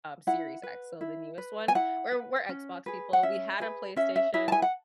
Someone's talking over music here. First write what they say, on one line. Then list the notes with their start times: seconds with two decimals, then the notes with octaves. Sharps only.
um, Series X, so the newest one. We're we're Xbox people. We had a PlayStation,
0.27 E4 F#5
0.63 B4
1.01 E4
1.38 B4
1.68 G#5
1.75 E4 F#5
2.12 B4
2.49 C#4
2.86 G#4 B4
3.13 F#5
3.23 C#4 E5
3.60 G#4 B4
3.96 C#4 E5
4.16 E5
4.34 E4 G#4 B4 E5
4.48 A5
4.52 G#5
4.62 F#5